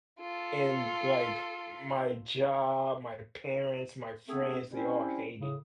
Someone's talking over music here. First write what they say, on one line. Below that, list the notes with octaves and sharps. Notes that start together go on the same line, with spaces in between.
And like, my job, my parents, my friends, they all hate it.
F4 A4
A3 B3 C4 D4 G#4
G3 C4 C#4 E4 C5
A2 C#3